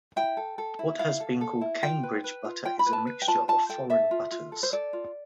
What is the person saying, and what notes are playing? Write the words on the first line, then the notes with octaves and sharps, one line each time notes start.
What has been called Cambridge butter is a mixture of foreign butters.
E4 G5
A4
A4
E4
E4 F5
A4
A4
E4
F4 G5
B4
B4
F4
F4 G5
B5
B4
A5
B4
G5
F4 A5
F4 A5
A4 G5
A4 E5
F4
F4
A4
C5
A4 D5
F4